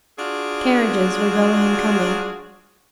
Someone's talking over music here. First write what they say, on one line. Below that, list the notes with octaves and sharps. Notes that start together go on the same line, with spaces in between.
Carriages were going and coming.
D4 F4 F#4 G#4